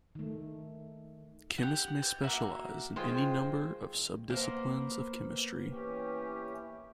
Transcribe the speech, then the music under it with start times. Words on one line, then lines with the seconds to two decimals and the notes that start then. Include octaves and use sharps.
Chemists may specialize in any number of subdisciplines of chemistry.
0.15 D#3 A3
1.58 G4 F#5
2.02 G6
2.24 A#3 F#4 E5
2.96 D#3 G#3 F4 C5 G5
4.30 A#3 B3 C5
5.71 E3 C#4 G4